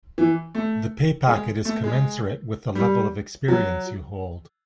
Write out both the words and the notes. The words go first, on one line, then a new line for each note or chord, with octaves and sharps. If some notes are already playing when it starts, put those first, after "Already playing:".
The pay packet is commensurate with the level of experience you hold.
E3
A3
G#3
A3
G#3
G3
F#3